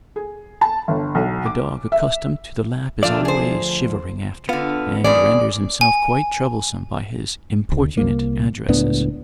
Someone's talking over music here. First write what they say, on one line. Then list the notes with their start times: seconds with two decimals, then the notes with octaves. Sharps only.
A dog accustomed to the lap is always shivering after it, and renders himself quite troublesome by his importunate addresses.
0.16 G#4
0.61 A5
0.88 G1
1.15 B1
1.46 D6
1.92 E5
3.03 D2 F3 A3 D4 F4 D5
3.25 G#4 C5
4.49 D3 B3 F4
5.04 B2 D#3 G#4 D5
5.81 G#5
7.72 D2
7.97 C2 A#3
8.68 C#2 A2 B3 D4